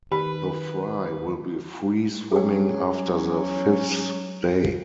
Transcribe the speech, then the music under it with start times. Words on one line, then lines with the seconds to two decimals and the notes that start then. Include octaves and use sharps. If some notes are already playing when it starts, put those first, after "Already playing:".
The fry will be free-swimming after the fifth day.
0.12 D#3 G4 B4 B5
2.32 F#3 C#4 G#4 G5